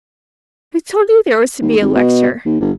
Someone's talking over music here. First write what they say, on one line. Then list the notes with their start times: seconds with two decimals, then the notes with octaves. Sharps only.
"Who told you there was to be a lecture?"
1.62 D#2
1.81 G#1
1.96 B2
2.46 D#2
2.60 G1